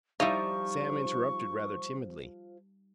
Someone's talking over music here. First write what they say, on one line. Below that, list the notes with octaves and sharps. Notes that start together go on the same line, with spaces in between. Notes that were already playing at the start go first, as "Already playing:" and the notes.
Sam interrupted rather timidly.
F3 G3 D#4 E4 D#5 F5 C#6